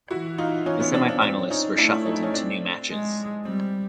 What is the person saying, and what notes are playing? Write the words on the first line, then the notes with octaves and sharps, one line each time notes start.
The semifinalists were shuffled into new matches.
E3 E4 F#4
D#4 F4
C#4 D#4
B3 C#4
C4 D4
C4 D4
C4 D4
C#4 D#4
A3 D4 E4
D#4
E4
C#4 D#4
C4 D4
G#3
G3 C4